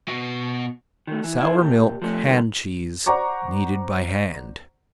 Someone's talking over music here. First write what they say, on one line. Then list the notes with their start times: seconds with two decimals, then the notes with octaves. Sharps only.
Sour-milk hand cheese, kneaded by hand.
0.09 B2 F#4
1.07 D#3 A3
1.24 E3
1.39 E4 C5
1.59 A#2 G4
2.02 F3 A3
2.25 B2 D3 D#3 G3
3.06 C5 D5 F#5 A#5 C#6 D6